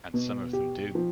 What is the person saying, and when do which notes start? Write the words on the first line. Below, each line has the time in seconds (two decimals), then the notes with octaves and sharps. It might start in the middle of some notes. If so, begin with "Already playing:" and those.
And some of them do.
0.14 B2
0.53 G4
0.95 F3